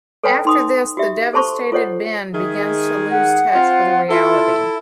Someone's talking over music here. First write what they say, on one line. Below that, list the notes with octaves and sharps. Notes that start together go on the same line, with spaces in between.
After this, the devastated Ben begins to lose touch with reality.
A4 B4 C#5 G5 G#5 B5
D#4 C6 D#6
F#4 G4 E5
A4 C5 A5 C6 C#6
F4 A4 C5 C#5 D#5 F#5
D#3 G#3 G#4 E5
F#5
C4 F4
E4 F4 A4